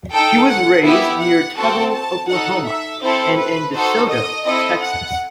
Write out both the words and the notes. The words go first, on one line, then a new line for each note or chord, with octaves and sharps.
He was raised near Tuttle, Oklahoma, and in DeSoto, Texas.
D#4 A4 G5
F#5
B3 E4 G4 E5
F#5
C4 F#4 A4 A5
A5
D#4 A4 F#5
E5
C4 E4 A4 C5
B4
D#4 F#4 A4 C5
D#5
C4 E4 A4 D#5
F#5